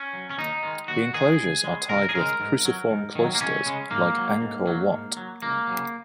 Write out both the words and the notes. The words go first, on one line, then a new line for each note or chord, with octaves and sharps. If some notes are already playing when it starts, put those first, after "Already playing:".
The enclosures are tied with "cruciform cloisters", like Angkor Wat.
Already playing: C#4
F#3
C#4
D#2 D#4
D#3 G#3
D#2 F#4
D#3 G#3 G#4
C#2
C#3 G#3
C#2 A#4
G#4
C#3 G#3 A#4
G#2
F#3
G#2
D#3 F#3
A#3
C#2 C#4
C#3 G#3
G#2 A#3
F#3
G#2
F#3
G#2
F#3
C#2 A#3
C#3 F#3